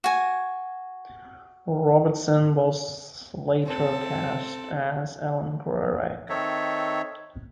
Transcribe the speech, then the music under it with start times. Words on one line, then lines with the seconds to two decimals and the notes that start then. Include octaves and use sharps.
Robinson was later cast as Elim Garak.
0.04 F#4 G#5
3.64 C4 A4
6.29 D#3 C4 D#4 A4 C#5 E5